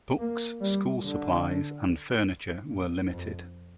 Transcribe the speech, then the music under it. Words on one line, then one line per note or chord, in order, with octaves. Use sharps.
Books, school supplies, and furniture were limited.
A#3
G3
D3
A#2
F2